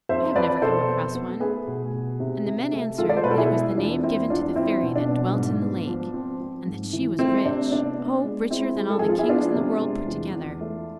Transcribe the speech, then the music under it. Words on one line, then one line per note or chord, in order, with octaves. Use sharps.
'I have never come across one.' And the men answered that it was the name given to the fairy that dwelt in the lake, and that she was rich--oh! richer than all the kings in the world put together.
F2 C5 E5
F2 B4 D5
B2 A4 C5
B3
B3
A3 G#4 B4
B2
B2
C3
C3
A3
G#3 F4 A4
D5
C5
B2 B4
A4
E4 G#4
G#3
E2 D4 F4
E2 C4 E4
E2 D4 F4
C4 E4
B2
D4
B2
G#2
B3
F3
C4
C4
G#2
E3
A3 C4
C3 D4
B3 D4
B3
G#3
G#3 C4 E4
G#3
A4
F3 G#4
F4
E4 G#4
B3 D4 F4
C3
G#3
E2
E2
A3